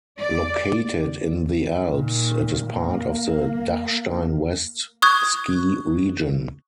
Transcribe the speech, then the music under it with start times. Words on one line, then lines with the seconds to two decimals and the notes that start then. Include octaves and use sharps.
Located in the Alps, it is part of the Dachstein West ski region.
0.18 D5
1.89 A#2 D#3
2.70 A#3
5.02 C#6 D#6 F#6 G#6